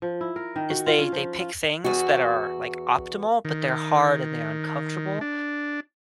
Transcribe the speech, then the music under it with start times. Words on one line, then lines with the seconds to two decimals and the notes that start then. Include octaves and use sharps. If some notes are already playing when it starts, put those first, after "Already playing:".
is they they pick things that are, like, optimal, but they're hard and they're uncomfortable,
0.02 F3
0.21 E4
0.36 A#4
0.56 D#3
0.70 F#4
0.87 F4
0.99 C#4
1.12 F3
1.39 F4
1.84 E2 F#4
3.45 D#3
5.21 D4